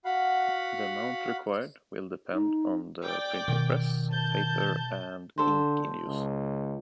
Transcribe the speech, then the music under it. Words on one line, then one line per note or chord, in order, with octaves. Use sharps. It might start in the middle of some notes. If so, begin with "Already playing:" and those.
The amount required will depend on the printing press, paper, and ink in use.
F#4 F5 F#5 B5
D#4
D5 G5 D6
B2 D#3
A5 G6
D3 A4 C5
C#2